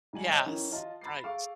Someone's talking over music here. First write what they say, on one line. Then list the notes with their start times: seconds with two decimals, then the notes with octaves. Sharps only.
Yes. Right.
0.13 G#2 G3 G#5 F#7
0.28 C#5 D#5 G5
0.46 D#3 E3 C#4
0.71 F4 D#5 F5 A5
1.01 B5 A6 C7
1.24 G#4 A4 F5 C#6 D6